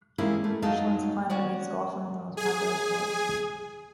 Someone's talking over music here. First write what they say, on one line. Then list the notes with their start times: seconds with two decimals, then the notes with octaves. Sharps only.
Richland's climate makes golf one of the most popular sports.
0.18 E3 G3 G#3 A#3 C#4 E4
0.44 A3
0.62 F#2 F#3 D#4 D#5 F5 A5
1.30 C#4 F#4 C#5 D5
2.37 G#4 G#5